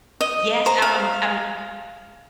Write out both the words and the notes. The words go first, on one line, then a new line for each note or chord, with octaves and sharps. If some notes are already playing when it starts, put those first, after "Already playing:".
Yes, I I'm I'm
D#5
C5 A#5
F5